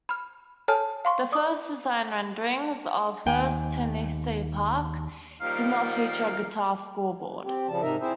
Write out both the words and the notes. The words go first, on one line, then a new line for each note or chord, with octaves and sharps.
The first design renderings of First Tennessee Park did not feature a guitar scoreboard.
B5 F6
A4 C#5 G#5 A5 F6
F5 C6 C#6
D5 D6 D#6
D#2 G5 G#5
D#3 F3 G3 A#3 F5
C4 G4
C#3 F3 G3 A5
G#2 C3 D#4 A#4 E5
C4 E4 G#4 C5 E5